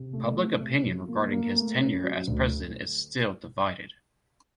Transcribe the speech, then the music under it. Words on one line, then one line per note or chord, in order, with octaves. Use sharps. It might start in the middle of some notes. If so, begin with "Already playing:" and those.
Public opinion regarding his tenure as president is still divided.
Already playing: C3
A3
A3
C3
F3
A#3
A#3
A3
C#4
F#3
D2